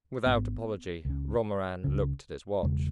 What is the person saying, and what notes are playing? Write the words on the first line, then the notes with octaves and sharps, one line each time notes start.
Without apology Romarin looked at his watch.
G#1 G#2 B3
C#2 C#3
C#2 C#3
E1 E2 C#3 G#3